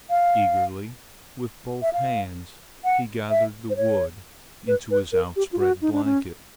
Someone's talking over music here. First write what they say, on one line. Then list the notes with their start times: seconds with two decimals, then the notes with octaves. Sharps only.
Eagerly with both hands he gathered the wood into his outspread blanket.
0.10 F5
1.82 E5
1.93 F5
2.84 F#5
3.30 E5
3.70 C5
3.77 C#5
4.68 B4
4.91 B4
5.13 A#4
5.36 G4
5.53 F4
5.59 F#4
5.82 D#4
5.92 D4
6.04 C#4